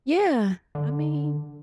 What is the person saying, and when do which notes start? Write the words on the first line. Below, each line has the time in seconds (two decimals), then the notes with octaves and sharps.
yeah, I mean
0.75 D3